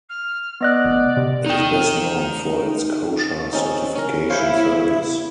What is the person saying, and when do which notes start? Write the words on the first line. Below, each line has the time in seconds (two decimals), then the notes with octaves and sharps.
It is best known for its kosher certification service.
0.09 F6
0.61 B3 D5 D#5 F#6
0.85 F1
1.17 C3
1.46 D#4 G5
3.53 C4 C#4 D#4
3.96 C#4 A#4
4.30 E4 C5 C#5 F5